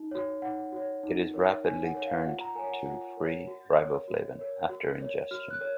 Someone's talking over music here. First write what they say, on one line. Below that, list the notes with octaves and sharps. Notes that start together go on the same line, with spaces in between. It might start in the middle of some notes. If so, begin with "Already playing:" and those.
It is rapidly turned to free riboflavin after ingestion.
Already playing: D#4
F#4 C#5
D#4 F#5
F#4 C#5
D#4
A#4 C#5
D#4 G#5
F#5
A#4 C#5
F5
F4 F#5
A#5
A#4 C#5 G#5
F#5
F4 F#5
A#4 C#5
F#4
A#4 C#5
F#4
A#4 C#5
F#4
A#4 C#5
F#4 F6
F#6
A#4 C#5